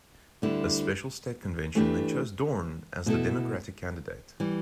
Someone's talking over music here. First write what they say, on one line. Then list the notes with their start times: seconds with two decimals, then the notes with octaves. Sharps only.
A special state convention then chose Dorn as the Democratic candidate.
0.42 D2 D3 G3 E4
1.75 E3 A3 D4 G4 B4
3.06 B2 A3 E4 A4
4.40 E3 G3